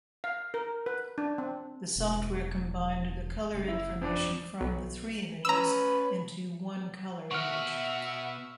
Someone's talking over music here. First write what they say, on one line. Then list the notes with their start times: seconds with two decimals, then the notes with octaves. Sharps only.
The software combined the color information from the three images into one color image.
0.24 F5
0.54 A#4
0.86 B4
1.18 D4
1.38 C4
1.96 E1
3.53 F#1
3.68 E4
4.02 F2 D4
4.61 B1
5.45 C#4 B4 A#5 E6
7.31 B2 F#4 E5 F#5 C#6 F6